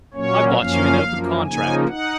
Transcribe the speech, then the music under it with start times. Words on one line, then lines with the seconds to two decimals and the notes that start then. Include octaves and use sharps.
I bought you in open contract.'
0.14 A#2 F#3 A#3 C#4 C#5
0.57 F#2 F3 A#3 C#4 F5
1.01 F#2 F3 A#3
1.44 C#3 F3 A#3 D#4 G#5
1.88 D#4 F#5